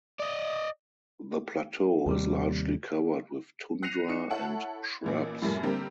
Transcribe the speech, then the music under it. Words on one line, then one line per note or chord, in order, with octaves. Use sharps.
The plateau is largely covered with tundra and shrubs.
D5 D#5
D#2 C3 G3
F#6 A#6 C7 C#7 D#7 F7
D#4 C#7
E4 A4 C#5 F#5
A1 A#2 E3
F#2 A2 C3 G3 A3 A#3
D3 G3 A#3 C4 G4 A#4